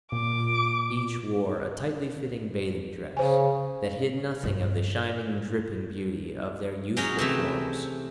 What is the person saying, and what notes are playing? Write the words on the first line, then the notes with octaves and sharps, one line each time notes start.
Each wore a tightly fitting bathing dress that hid nothing of the shining, dripping beauty of their youthful forms.
A#2 D6
C#3 C5 G#5
G2 F4
F#3 G#3 C#4 D#4 F#4 D#5
C3 E3 A3